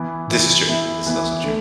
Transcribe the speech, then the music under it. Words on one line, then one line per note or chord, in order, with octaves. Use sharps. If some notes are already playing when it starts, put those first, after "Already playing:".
This is true, this is also true.
Already playing: E3 B3 E4
E3 B3 E4
E3 B3 E4
E3 B3 E4
D3 A3